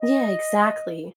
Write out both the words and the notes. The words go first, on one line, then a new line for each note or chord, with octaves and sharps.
Yeah, exactly.
D#5